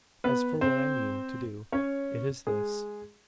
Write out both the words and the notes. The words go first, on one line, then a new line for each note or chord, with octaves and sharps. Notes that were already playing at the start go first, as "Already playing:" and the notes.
As for what I mean to do--it is this.
B3 B4
C4 C5
C#4 C#5
G#3 G#4